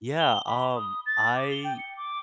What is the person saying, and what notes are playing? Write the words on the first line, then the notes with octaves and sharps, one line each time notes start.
yeah, um, I
G7
B5
D#6
A6
D6
G7
G5
C#7
D6